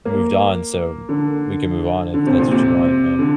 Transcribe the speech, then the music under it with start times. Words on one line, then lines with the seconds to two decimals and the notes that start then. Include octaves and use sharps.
moved on, so m we can move on if that's what you want, um,
0.05 A#3
1.09 D3
2.14 D3
2.26 C3
2.38 A#2
2.51 C3
3.19 D3